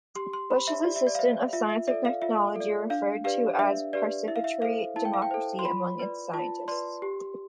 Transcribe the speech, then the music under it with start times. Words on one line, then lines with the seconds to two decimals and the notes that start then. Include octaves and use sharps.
Bush's assistant for science and technology, referred to as "participatory democracy" among its scientists.
0.16 G4 C6
0.33 C6
0.50 C5 B5
0.68 E5
0.84 G4 D5
0.96 E5
1.07 D5
1.15 F5
1.19 C5 E5
1.53 F4 E5
1.70 E5
1.87 A4 D5 E5
2.05 F5
2.22 F4 E5
2.56 A4 D5
2.90 D4 F5
3.24 G4 B4 D5 F5
3.59 D4 E5
3.93 G4 B4 D5
4.28 E4 E5
4.36 F5
4.44 E5
4.62 A4 C5 F5
4.96 E4 A5
5.05 G5
5.14 F5
5.22 G5
5.31 A4 C5
5.59 C6
5.65 F4 B5
5.99 B4 D5
6.33 F4 A5
6.68 B4 D5 C6
7.02 G4